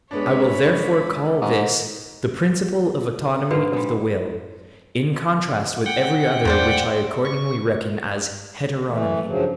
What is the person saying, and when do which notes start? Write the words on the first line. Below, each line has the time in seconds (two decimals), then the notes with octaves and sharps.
I will therefore call this the principle of autonomy of the will, in contrast with every other which I accordingly reckon as heteronomy.
0.11 G#3 B3 D4 C#5 B5
1.42 G#2
3.51 G#2 D3 F#4 B4 F5
3.73 G3 G#3
5.86 F#5 G5
6.45 E2 F3 C5 D5
7.25 C#6
8.87 E3 A3
9.25 G2 C#3 F3 F#3